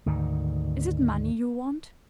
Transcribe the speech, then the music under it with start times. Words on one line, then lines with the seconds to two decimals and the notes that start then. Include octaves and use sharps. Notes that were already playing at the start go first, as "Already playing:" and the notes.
Is it money you want?
0.06 D2 G#2 D#3